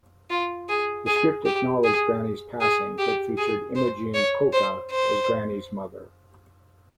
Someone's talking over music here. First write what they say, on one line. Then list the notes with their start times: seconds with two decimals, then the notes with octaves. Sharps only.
The script acknowledged Granny's passing, but featured Imogene Coca as Granny's mother.
0.30 F4
0.69 G#4
1.07 G#4
1.45 G4
1.84 G#4
2.61 G#4
2.98 G4
3.38 G#4
3.75 C5
4.14 C#5
4.52 C5
4.91 C5